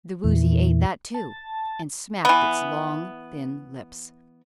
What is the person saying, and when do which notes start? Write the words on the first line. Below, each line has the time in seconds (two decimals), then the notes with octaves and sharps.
The Woozy ate that, too, and smacked its long, thin lips.
0.24 E2 A#2 E3
1.14 A5
2.25 E3 B3